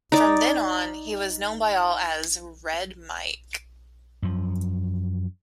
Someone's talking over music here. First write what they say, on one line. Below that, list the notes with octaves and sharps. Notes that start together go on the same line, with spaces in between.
From then on he was known by all as "Red Mike".
D#4 D5
F#2 F3